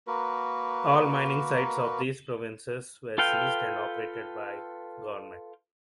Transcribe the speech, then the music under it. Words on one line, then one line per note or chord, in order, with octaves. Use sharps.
All mining sites of these provinces were seized and operated by the government.
A#3 F#4 A#4 B4
F4 A4 B4 F5 G5